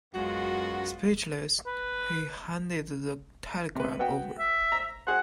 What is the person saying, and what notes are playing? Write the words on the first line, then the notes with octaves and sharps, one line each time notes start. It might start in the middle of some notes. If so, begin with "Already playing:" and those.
Speechless, he handed the telegram over.
F#2 G#3 B3 F4 F#4
B4
C3 B4
B3 F#4 G5
E5
A#5
F#4 G#4 C5 F#5